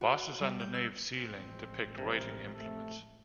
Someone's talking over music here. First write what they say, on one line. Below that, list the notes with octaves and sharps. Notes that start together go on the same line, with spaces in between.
Bosses on the nave's ceiling depict writing implements.
F#4
G3
G6
E6
A1 F3 G#3 C4
C3 A#4
A3 A4